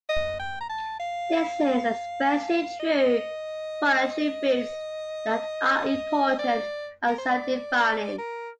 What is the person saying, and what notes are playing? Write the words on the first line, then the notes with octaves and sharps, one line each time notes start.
This is especially true for attributes that are important and self-defining.
D#5
G5
A#5
A5
F5
D#5
D5
A#4
C5
D5
A#4